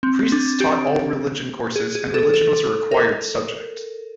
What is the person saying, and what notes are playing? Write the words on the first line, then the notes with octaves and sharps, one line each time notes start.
Priests taught all religion courses, and religion was a required subject.
C4
D4
G4
G#4
G#4
A4
A4
A#4